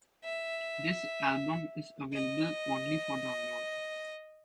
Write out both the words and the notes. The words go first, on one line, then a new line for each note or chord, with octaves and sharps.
This album is available only for download.
E5
D#5